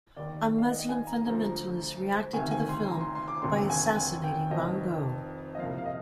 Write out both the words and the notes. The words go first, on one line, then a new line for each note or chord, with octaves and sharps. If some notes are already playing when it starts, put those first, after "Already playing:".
A Muslim fundamentalist reacted to the film by assassinating Van Gogh.
D#2 D#3 D5
F5
D#5
G#5
A#5
D2 D3 F3 A#5
D2 C3 D#3 G#5
G#5
C6
A#5
C6
C6
D6
F1 D#2 D3 C6
G#5
G#5
G5
F1 F2 D#3 D#5
D#5
C2 A#2 F3 F5
F5
D#5